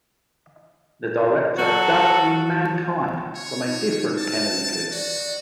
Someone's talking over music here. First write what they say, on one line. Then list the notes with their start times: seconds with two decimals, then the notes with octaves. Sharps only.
The director dubbed in "mankind" from a different Kennedy clip.
1.58 F#3 F#4 A4
3.35 C#5
3.66 D#4
4.17 A5
4.92 F#4 D5